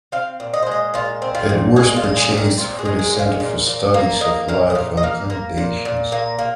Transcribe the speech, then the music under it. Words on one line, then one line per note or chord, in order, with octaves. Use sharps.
It was purchased for their Center for Studies of Life on Plantations.
C4 F5
A#2
D#5
C5
G#3
D#5
A#2 F4
C4
F4
A#2
G#3 G#4
F4
A#2
G#4
C4
A#4
A#2 F4
G#4
G#3
G#4
A#2
F5
A#2
A#2
A#3
A#3 D#5
A#2 F5
D#5
A#2 F5
D#5
A#3 F5
A#3
A#2
A#2
A#3
A#3